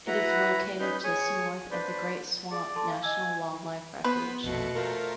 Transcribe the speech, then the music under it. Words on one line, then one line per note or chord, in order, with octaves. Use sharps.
It is located just north of the Great Swamp National Wildlife Refuge.
E4 F#4 B4 F#5 A#5
C#4 D#4 B4 G6
G#4 C#5 G#5 C#6
D4 B4 C5 D5
G#4 D5
A4 A5 C6
F5
D#5 G#5 E6
B3 B4 C5 B5
A#1 F2 B2 A3 C#7
A3 F4 A#4 C5